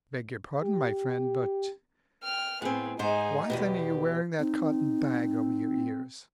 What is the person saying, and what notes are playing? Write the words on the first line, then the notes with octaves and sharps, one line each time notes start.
"I beg your pardon, my friend, but why then are you wearing that cotton bag over your ears?"
G4
G5 F6
A2 B3 C4 G#4
G#2 D#4 G#4 C5
E2 G#2 B2 G4
C4 D#4